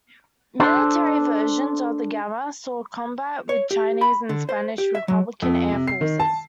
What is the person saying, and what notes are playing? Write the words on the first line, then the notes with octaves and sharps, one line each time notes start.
Military versions of the Gamma saw combat with Chinese and Spanish Republican air forces.
D4 A4 C5
C#5
G4
B5
D3
C5
G4
E5
F#3
F2
C3
C7
D#3
A5